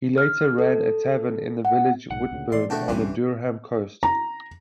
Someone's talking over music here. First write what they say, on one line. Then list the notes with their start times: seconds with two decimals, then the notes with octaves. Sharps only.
He later ran a tavern in the village Whitburn on the Durham coast.
0.18 F6
0.58 A4
1.65 F#5
2.11 B1 G#2 F#5
2.31 D2 A#2 C#3
2.52 A#2 E3 G#3 D5 C6
2.70 B2 A3 D4 F#4 G5 A5
2.88 C2 G2 E3 G3 C4 C#4 G4
4.03 A#5